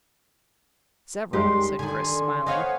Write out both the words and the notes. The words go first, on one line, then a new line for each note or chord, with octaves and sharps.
"Several," said Chris, smiling.
F#2 G3 G#3 D#4 G4 C6
D3 D#3 G#5 C6
B3 C5 C#5 D#5 F5 G#5